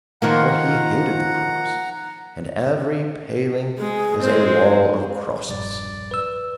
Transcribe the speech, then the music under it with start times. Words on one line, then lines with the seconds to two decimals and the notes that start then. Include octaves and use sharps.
For he hated the cross and every paling is a wall of crosses.
0.22 D#3 F3 A#3 F#5 A#5
3.78 G#3 G#4
4.21 G#3 C4 C5
5.49 E1 A#1 G2 D5
6.11 B4 E6